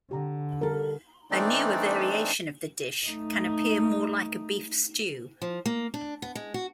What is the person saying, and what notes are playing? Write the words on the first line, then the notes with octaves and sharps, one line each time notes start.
A newer variation of the dish can appear more like a beef stew.
D3 G4 A#5
G3 A4 A#4
E3 A3 C4 D4 D#4 D5
A3 D#4
F3
A#3
D4
B3
G#3
F#4